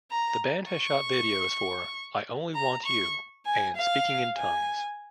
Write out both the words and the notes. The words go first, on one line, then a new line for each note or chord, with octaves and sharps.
The band has shot videos for "I Only Want You" and "Speaking in Tongues".
A#5
C#6
A#5
C#6
G#5
F5
G#5